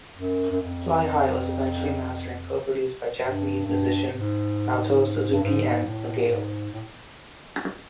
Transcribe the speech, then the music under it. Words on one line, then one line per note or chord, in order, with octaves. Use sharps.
"Fly High" was eventually mastered and co-produced by Japanese musician Naoto Suzuki and Nagao.
F#2
F#2
F2
G2
G2
G#2
G2
G#2
A2
G#2
A2